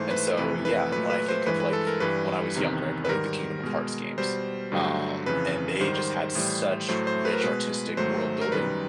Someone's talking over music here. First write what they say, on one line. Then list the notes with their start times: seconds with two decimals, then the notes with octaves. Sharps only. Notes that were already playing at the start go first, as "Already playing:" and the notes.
and so, yeah, when I think of like, when I was younger, I played the Kingdom of Hearts games, um, and they just had such rich artistic world building,
Already playing: G#2 E3 A3 C5
0.11 B4
0.37 F2 C3 E3 A3 B4
0.65 B4
0.92 A#2 F#3 A3 B4
1.10 B4
1.28 C5
1.46 G2 E3 G#3 B4
1.60 B4
1.73 A4
1.87 A#4
2.00 G2 E3 G3 B4
2.55 E2 C3 D#3
3.05 B4
3.09 G#2 D#3 G3 A#4
3.63 B2 G#3
4.18 B2 G3 C5
4.72 G2 D3 F#3 A3
5.26 F2 C#3 E3 B4
5.80 G#2 D#3 G3 C5
5.97 C5
6.35 A2 E3 G3
6.89 A2 F#3 A3 C5
7.07 C5
7.25 B4
7.33 A#4
7.41 B2 G#3 B4
7.97 G#2 D#3 F#3 A3 C5
8.41 A#4
8.52 F#2 D#3 G3 B4